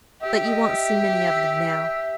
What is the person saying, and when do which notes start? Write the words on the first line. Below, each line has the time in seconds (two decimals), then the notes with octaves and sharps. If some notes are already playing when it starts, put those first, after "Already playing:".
But you won't see many of them now.
0.22 G4 E5
0.45 D#5
0.69 E5